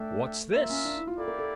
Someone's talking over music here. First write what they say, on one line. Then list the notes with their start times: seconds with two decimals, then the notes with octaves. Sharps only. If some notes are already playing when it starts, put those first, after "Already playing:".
"What's this?"
Already playing: A3 D4 A4 E5 G5
0.53 A#3 F4 A#4 E5
0.70 C#4
0.85 D4
0.96 E4
1.07 F4
1.17 A#3 E4 G4 A4 D5
1.28 A#4
1.38 A4